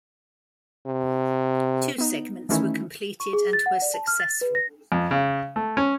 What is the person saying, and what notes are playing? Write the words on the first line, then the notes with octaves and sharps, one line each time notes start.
Two segments were completed and were successful.
C3
B3 D#4
D#3 E3 A3 C#4 D#4 E4
C#6
G#4
A6
F#5
D5
A5
F6
A6
B4
A#6
F2
C#3
A3
C#4